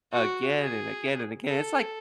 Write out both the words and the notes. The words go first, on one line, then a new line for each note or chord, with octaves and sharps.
Again and again and again. It's, like,
F#4
G#4
A4